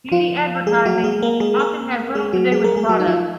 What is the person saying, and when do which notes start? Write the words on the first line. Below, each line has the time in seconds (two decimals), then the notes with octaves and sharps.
Beauty advertising often has little to do with the product.
0.12 F3 F4
0.67 G#3 G#4
0.86 F#3 F#4
1.04 G#3 G#4
1.22 A#3 A#4
1.40 G#3 G#4
1.59 A#3 A#4
2.15 G#3 G#4
2.33 F#3 F#4
2.52 G#3 G#4
2.64 A#3 A#4
2.76 G#3 G#4
2.89 F#3 F#4
3.00 D#4
3.07 F3 F4